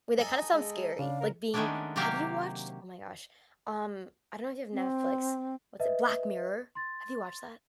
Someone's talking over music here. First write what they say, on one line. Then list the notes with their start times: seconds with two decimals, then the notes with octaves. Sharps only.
Wait, that kinda sounds scary, like, being have you watched oh my gosh, um, I don't know if you've Netflix. What's it Black Mirror! Have you watched that?
0.19 D#4 A4 G#5
0.52 G#3
0.99 C#3 D4 F5
1.21 A#4
1.54 D#3 G#3 A3 B3 C#4 D4
1.96 C3 F#3 A#3 G4 F5
4.72 C4
5.79 B4 D#5 E5
6.75 C6 A6